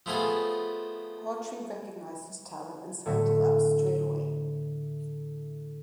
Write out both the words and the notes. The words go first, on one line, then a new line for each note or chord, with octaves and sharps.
Autrey recognized his talent and signed him up straight away.
F3 A3 B3 F4 G#4 A4
A2 D3 A3